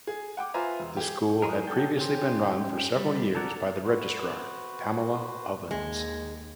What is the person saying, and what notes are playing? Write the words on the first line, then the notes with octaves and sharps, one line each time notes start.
The school had previously been run for several years by the registrar, Pamela Ovens.
G#4
F#5 G5 D6
F4 B4 C5 E5 G#5 A#5
E1
G4 G#4
F#3 G#3 D#4 G#4 A#4
C#4 F#4 A4 G5
C#4 G4 C5
G3
A4 A#4 D5 F#5
F#4 B4 C5
D#2 G#3